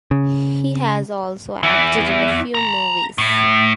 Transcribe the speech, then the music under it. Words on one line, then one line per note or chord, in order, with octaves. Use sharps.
He has also acted in a few movies.
C#3
E2 E3
A5 A#5
A2